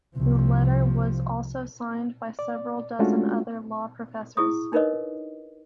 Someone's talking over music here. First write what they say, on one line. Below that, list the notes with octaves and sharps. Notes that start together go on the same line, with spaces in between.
The letter was also signed by several dozen other law professors.
C2 F3
D5
G#3 A3 C#4 D4 F4 F#4
E4 G#4 C#6 D#6
D4 D#4 A#4 B4 C#5 D#5